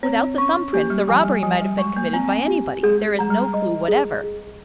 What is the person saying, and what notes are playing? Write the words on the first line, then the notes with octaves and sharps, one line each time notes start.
Without the thumb-print, the robbery might have been committed by anybody; there is no clue whatever.
C4 C#5
C#4 C#6
A#3 G4
G3
F3 G#5
G3
F3 G#5
G3
G#3 C#6
A#3
C4 G#5
G4
G#3 G#4
G#3 A#5
G3
D#5
G#4
G#4